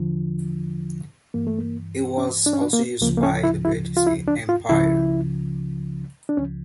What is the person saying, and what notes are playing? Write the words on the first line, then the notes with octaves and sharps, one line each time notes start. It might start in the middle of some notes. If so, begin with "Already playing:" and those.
It was also used by the British Empire.
Already playing: E2 D3 F3
G2 E3 A#3
A3
A#3
C#4
D4
C#4
D4
A#3
D2 C#3 F3 A#3
A#3
C#4
E4
E4
F4
E4
D4
F4
C#2 C#3 F3 E4
D4
C#2 C#3 F3 C#4